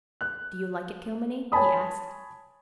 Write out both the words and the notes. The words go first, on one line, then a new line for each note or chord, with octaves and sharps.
"Do you like it, Kilmeny?" he asked.
F#6
C#5 G#5 A5 B5 D#6